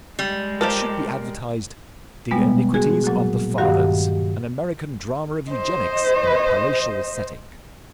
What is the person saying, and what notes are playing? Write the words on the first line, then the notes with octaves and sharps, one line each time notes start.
It should be advertised "The Iniquities of the Fathers, an American drama of Eugenics, in a Palatial Setting."
G3 G#3
F3 G4 A4 A#4
B2 G3 G#3 B3
F#4 G#4 G#5
A#2 F#3 A#3 F#4
G2 D#3 F#4 G4 F5 F#5
C5 D#5